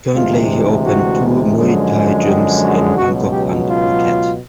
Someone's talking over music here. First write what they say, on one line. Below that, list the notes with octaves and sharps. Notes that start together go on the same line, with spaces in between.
Currently, he opened two Muay Thai gyms in Bangkok and Phuket.
D2 C3 E3 G#3 F4
F#4
F#2 D3 F3 G#3
G4
F#4
C#2 B2 F#3 F#4
G4
F4